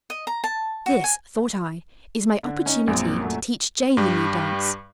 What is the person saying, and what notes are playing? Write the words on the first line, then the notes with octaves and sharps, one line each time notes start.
This, thought I, is my opportunity to teach Jane the new dance.
D#5
A#5
A5
F#4
G#5
D3 D4
C#4 D#4
A#1 F#2 A#2 C4
F#2 A#2 F#3 A3
G2 G3